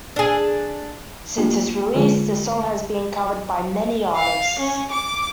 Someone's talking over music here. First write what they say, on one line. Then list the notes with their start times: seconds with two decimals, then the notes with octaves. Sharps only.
Since its release, the song has been covered by many artists.
0.16 D4 G#4
1.38 A3 A#3 D4 F4 G4
1.94 D3 F3 G#3 F4 G#4 B4
4.16 F5
4.59 C#4
4.91 D6